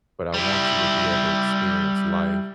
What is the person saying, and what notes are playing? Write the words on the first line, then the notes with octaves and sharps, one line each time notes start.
but I want you to be able to experience life
G3 E4